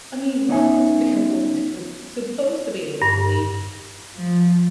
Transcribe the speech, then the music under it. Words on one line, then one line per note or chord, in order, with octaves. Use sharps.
I mean, we're supposed to be able to, supposed to be able to believe
B3 C#4 D#4 C#5 E5 G#5
G2
F3